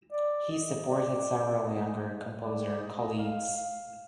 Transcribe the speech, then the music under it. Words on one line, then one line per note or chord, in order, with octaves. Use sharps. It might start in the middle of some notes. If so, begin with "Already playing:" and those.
He supported several younger composer colleagues.
D5
D#5
D5
D#5
D5
D#5
F5
F5